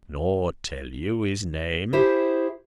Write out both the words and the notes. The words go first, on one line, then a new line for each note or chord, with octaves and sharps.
"Nor tell you his name?"
E4 G4 G#4 C5